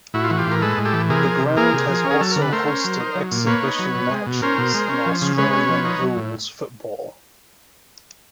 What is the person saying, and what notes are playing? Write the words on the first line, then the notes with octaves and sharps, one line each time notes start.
The ground has also hosted exhibition matches in Australian rules football.
A2 E4 F#4
F4
E3 F#4
F4 G4
A2 A#4
G#3 A4 B4
A2
G4 A4
E3
C3 G#4 A#4
F3
C3
A#3 G#4 A#4
C3
F3
C#4
G#4
F#3 A4
D3 A#4
B4
A3 A#4 C5
C#4
F#3
D#4
F#3
A#2
A#3 B4 C#5
D#4
F#3
B2
G#3
B2
C#4 A#4 C5
B2
G#3
C#4
F3
C#3
G#3 B4 C#5
C#4
F3
D#4
F#3
A2